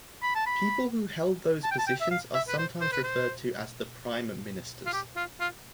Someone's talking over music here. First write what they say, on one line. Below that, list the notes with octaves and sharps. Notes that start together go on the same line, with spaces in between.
People who held those positions are sometimes referred to as the prime ministers.
B5
A5
B5
A5
G5
A5
G5
E5
F5
E5
B4
C5
C5
B4
C5
F4
G4
F4
F4